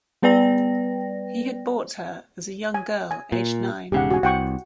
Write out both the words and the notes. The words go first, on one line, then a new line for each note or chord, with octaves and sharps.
He had bought her as a young girl aged nine.
G3 B3 B4 D5 G5 A#6
G#5
G#5
A#2
E1 G#2 C#3 G4 F#5
F#4 G#5
C2 F#5 G5 C#6